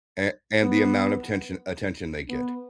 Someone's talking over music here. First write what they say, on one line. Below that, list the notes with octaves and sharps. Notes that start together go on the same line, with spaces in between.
a and the amount of tention attention they get
B3
B3